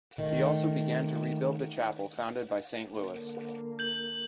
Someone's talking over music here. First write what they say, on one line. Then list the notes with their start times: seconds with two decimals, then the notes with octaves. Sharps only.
He also began to rebuild the chapel founded by Saint Louis.
0.18 D#3 A3
2.87 D3 A#3
3.79 G6 F#7